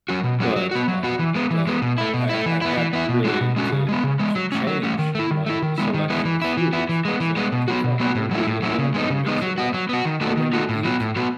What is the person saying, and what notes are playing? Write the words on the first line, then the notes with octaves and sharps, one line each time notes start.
But, um but I I I've had really to to change my selection of foods and saying, "Okay, fine. I'm gonna do it, and then I'm gonna mix it up." And when you eat
F#3 C#4 F#4
B2
F#3 C#4 F#4
F#3
B3 F#4
F#3
B3 F#4
E3
G#3 B3
E3
G#3 B3
B2
A3 E4
B2
A3 E4
E3
B3 E4
E3
B3 E4
B2
G#3 C#4 F#4
B2
G#3 C#4 F#4
C#3
G#3 B3
C#3
G#3 B3
F#3
A3 C#4
F#3
A3 C#4
D#3
A3 E4
D#3
A3 E4
D#3
G#3 B3 E4
D#3
G#3 B3 E4
E3
B3 E4
E3
B3 E4
E3
G#3 B3
E3
G#3 B3
B2
F#3 B3 F#4
B2
F#3 B3 F#4
A2
F#3 A3 C#4 E4
A2
F#3 A3 C#4 E4
C#3
G#3 B3 D#4
C#3
G#3 B3 D#4
F#3
B3 F#4
F#3
B3 F#4
D#3
A3 D#4 F#4
D#3
A3 D#4 F#4
A2
F#3 B3 F#4
A2
F#3 B3 F#4